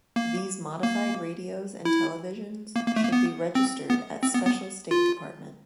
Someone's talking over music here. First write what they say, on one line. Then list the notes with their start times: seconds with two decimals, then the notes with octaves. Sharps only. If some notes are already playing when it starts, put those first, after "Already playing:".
These modified radios and televisions should be registered at special state department.
0.16 A#3
0.83 A#3
1.85 E4
2.76 A#3
2.87 A#3
2.96 A3
3.04 A#3
3.13 B3
3.55 C4
3.90 B3
4.23 C4
4.34 B3
4.46 B3
4.91 F4